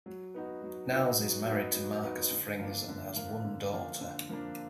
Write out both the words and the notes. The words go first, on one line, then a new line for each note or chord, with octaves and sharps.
Nahles is married to Marcus Frings and has one daughter.
F#3
B3 D#4 F#4
F#3
B3 D#4 F#4
F#3
B3 D#4 F#4
F#3
B3 D#4 F#4
D3
F3 A#3 D4
D3
F3 A#3 D4
D3
F3 A#3 D4
D3
F3 A#3 D4